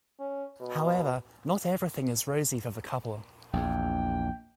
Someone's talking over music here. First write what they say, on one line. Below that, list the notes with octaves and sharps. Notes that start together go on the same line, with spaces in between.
However, not everything is rosy for the couple.
C#4
B2
A#1 E2 G5